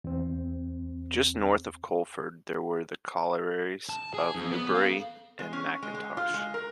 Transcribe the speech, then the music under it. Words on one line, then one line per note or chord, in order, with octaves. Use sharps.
Just north of Coleford there were the collieries of Newbury and Mackintosh.
E2 C4
A5
G#4
F2
B3
A4 F5
G#3
C#4
G#3
G#3
F4
G#3
A#4